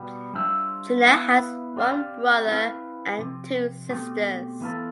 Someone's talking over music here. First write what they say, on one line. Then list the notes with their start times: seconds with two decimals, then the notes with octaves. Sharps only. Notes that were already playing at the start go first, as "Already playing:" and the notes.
Jenna has one brother and two sisters.
Already playing: B2 G3 B3
0.34 G3 D4 F4 C5 E5
1.05 B3 E4 B4 F5
1.76 C4 G4 D5 F5
2.47 C4 E4 B4 F5
3.18 C3 F3 C4
3.89 B2 A3 C4 G4
4.61 E3 B3 F4 A4